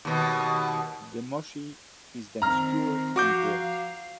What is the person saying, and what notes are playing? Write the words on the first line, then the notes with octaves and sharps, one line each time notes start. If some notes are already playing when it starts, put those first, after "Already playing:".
The mochi is then skewered and grilled.
D#2 B2
D#3 C4 A#5 F6
F3 F#4 F5 D6 G6